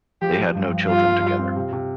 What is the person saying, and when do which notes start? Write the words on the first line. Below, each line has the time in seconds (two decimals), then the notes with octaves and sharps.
They had no children together.
0.22 F3 G4
0.39 F3
0.55 G2
0.71 F3
0.89 G2 F4
1.06 G2
1.22 G2
1.39 C4
1.56 C3
1.73 C3